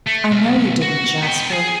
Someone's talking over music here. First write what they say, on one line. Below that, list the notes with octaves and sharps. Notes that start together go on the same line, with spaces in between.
'I know you didn't, Jasper.
A3
B1
F#4
B3 G5
G#4